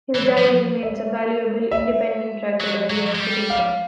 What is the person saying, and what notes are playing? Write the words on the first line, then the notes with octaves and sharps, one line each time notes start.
His diary remains a valuable independent record of the expedition.
E3
F3
E5
E5
F#3
F#3
G#3
G3
F5